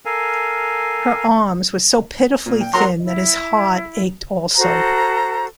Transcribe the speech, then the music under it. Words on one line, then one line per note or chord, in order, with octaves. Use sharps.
Her arms were so pitifully thin that his heart ached also.
A4 A#4 F5 G#5
A#2
G5
F#3 A#4 F#5 A#5 C6
E4
F#4 A4 C5 A#5